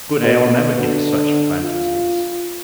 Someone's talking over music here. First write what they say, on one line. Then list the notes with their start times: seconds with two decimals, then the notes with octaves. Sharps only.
Good ale never gives such fantasies.
0.21 B2
0.80 D3
1.62 F4